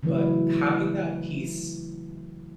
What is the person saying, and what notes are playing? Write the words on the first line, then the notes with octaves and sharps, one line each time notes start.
but having that piece
C#3 E3 F#3 A3 E4 B4